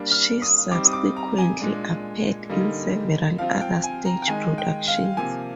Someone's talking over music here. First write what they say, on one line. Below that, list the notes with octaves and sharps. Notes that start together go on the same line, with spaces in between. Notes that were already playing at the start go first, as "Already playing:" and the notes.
She subsequently appeared in several other stage productions.
Already playing: G3 A#3 D4
F6
D#6
G3 C4 D#4 D6
D#6
D6
A#5
G#5
A#2 G#3 D4
D3 G3 A#3 D#4
F3 C4 F4 F5
G5
G#5
A#5
G5
D#3 G#3 D#4 G#5
G5
F5
C3 F3 A#3 G#5